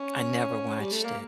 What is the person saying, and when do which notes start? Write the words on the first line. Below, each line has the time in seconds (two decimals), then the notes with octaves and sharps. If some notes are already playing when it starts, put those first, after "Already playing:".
I never watched it.
Already playing: C#4
0.80 G3
0.92 A3
1.05 A#3